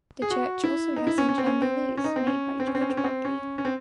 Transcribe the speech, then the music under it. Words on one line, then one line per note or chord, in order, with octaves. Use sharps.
The church also has some chandeliers made by George Bodley.
G#4
F#4
E4
D#4
E4
C#4
C#4
C4
C#4
C4
C#4
D#4
C4
C#4
C4
C#4
C4
C#4
C4
C#4
C4
C#4
C#4
C4